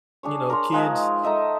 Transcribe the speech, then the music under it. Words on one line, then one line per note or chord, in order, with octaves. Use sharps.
you know, kids
D4 G#4 C#5
A#4 C#5 C6
F3 G#3 D#4
D#4 A4 D#5 E5